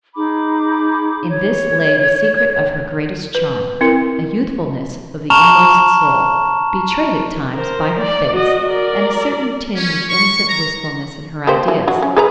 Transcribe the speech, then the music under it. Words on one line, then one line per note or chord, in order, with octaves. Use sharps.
In this lay the secret of her greatest charm, a youthfulness of the inmost soul, betrayed at times by her face, and a certain tinge of innocent wistfulness in her ideas.
D#4 G#4 B5 D6
C#5
B4
C4 E4 A#4
A5 A#5 C#6 F6 E7 F7
A#4 C5
D5
F#4 D#5
A#4 D5
C#4
C#6
A#5
A#3 G4 C5
E3
F#3 F#4
C#4
G#4 B4 A#5